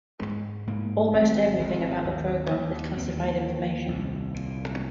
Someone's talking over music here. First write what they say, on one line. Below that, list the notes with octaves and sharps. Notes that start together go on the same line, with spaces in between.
Almost everything about the program is classified information.
G#2 G#3
G#2 A#3
G#1 C4
G#1
D#2
D#2
D#2 C4
A#3
G#3
A#3
D#2
C2
A#2